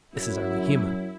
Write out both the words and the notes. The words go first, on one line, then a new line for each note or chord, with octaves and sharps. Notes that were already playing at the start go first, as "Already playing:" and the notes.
This is only human.
F#2 F#3 E4